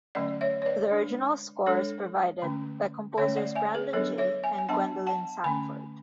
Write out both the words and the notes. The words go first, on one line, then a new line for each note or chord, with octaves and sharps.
The original score is provided by composers Brandon Jay and Gwendolyn Sanford.
D3 F#3 A3 C#4 D5 F#5
C#5 E5
C#5
B4 D5
G#3 D4
G#3 D4 A4 C#5
D3 A3 C#4
D3 A3 C#4 C#5 E5
D5 F#5
E5 G#5
G#4 B4
F#3 B3 D4 A4 C#5
C#5 E5
E5 G#5
G#5
F#3 B3 D4 F#5 A5
F#5 A5
D3 A3 C#4 G#5 B5